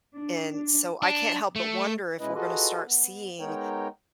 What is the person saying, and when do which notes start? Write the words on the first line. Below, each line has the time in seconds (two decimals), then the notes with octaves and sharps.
And so I can't help but wonder if we're gonna start seeing
0.13 D4
0.51 D4
1.02 D4
1.56 A3
2.20 B2 G#3 C#4 E4 B4 D#5
2.35 F4 F#4 G#4 A4 B4 D#5
2.83 B3
3.39 G#3 B3 D#4 A#4 C#5 G5